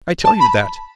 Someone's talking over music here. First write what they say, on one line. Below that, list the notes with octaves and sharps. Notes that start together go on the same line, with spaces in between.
I tell you that.
A5
B5